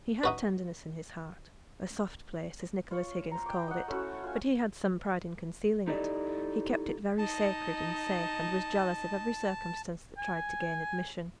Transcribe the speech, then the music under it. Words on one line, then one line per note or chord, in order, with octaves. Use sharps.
He had tenderness in his heart--'a soft place,' as Nicholas Higgins called it; but he had some pride in concealing it; he kept it very sacred and safe, and was jealous of every circumstance that tried to gain admission.
D#4 F#4 B4
F4 C#5
C5 A#5
G5 D6
D#5 F#5
A3 C#4 E4 F#4
F4 G#5
D#4 E4 G4 A4 D5 D#5
D#4 D#5 A5
G#5